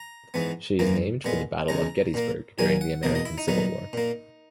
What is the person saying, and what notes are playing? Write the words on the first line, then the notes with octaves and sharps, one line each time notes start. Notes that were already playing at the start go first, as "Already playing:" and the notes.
She is named for the Battle of Gettysburg during the American Civil War.
Already playing: A#5
G#2 E3 B3
F#2 E3 A#3
A#2 G#3 B3
E2 C#3 G#3 A#5
A#2 A#3
A#2 F#3 A#3 G#5
F#5
E2 B2 A#3 D#5
D#5
E4
D#4
A#2 F#3 B3 D#4
A#2 A#3